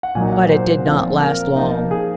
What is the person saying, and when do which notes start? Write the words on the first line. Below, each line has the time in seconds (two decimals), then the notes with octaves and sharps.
But it did not last long.
0.03 F#5
0.15 A#2 F#3 A#3 D#4 G#5
0.33 F#5
0.50 C5
0.85 A#2 F3 C4 F4
1.20 A#4
1.56 F3 A#3 D#4
1.91 G#4